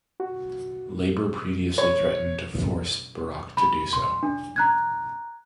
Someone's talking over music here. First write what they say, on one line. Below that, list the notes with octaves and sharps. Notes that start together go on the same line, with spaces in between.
Labor previously threatened to force Barak to do so.
F#4
C#5
B5
C6
D4
A#5 F#6 G#6